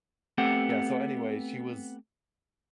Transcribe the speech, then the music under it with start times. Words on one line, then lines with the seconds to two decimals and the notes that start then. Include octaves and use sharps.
Yeah, so anyway, she was
0.38 A3 B3 C4 G4 A4 F#5